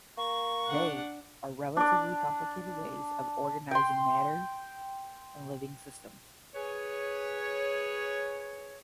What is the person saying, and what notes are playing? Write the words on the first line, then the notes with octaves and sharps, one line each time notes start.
They are relatively complicated ways of organizing matter and living systems.
A#3 C#6
D4 F#5
D4 D5
G5 C6
G#4 B4 C#5